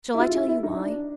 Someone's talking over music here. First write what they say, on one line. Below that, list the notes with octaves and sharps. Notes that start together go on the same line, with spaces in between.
Shall I tell you why?
E4
F4
E4
E4
D#4
D4